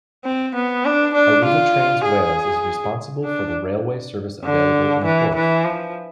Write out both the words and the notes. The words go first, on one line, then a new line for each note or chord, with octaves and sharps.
Arriva Trains Wales is responsible for the railway service available in Porth.
C4
B3
D4
D4
F4
G#4
D4
D3
E3
E3
F3